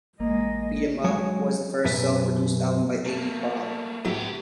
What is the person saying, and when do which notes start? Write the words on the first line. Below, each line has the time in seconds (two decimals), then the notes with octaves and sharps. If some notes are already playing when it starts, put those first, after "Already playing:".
"Beat 'Em Up" was the first self-produced album by Iggy Pop.
0.20 A1 G#3 A#3 D#5
1.04 F#3 G#3 C#5
1.85 F#2 B2 B4 E5
3.06 A3 A#3
4.05 A2 F#3 B3 G4 E5